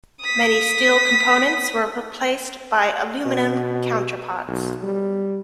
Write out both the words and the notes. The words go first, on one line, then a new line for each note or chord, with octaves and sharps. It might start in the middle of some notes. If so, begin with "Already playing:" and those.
Many steel components were replaced by aluminium counterparts.
D#6 B6
B2
B1
G3